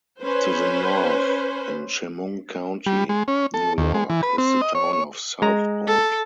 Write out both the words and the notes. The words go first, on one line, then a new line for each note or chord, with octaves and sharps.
To the north, in Chemung County, New York, is the town of Southport.
C#4 B4 C5
G3
G#3
C#4
A4
D#2
G#3
E3
B4
C4
D#5
C#5
C#5
G#3 A#5
A4